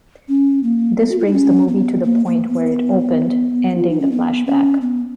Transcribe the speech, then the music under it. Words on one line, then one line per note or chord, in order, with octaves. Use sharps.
This brings the movie to the point where it opened, ending the flashback.
C#4
A#3
B3
F#4
F4
D#4
C#4
B3
A#3
A#3
B3
F4
D#4
C#4
B3
C#4
B3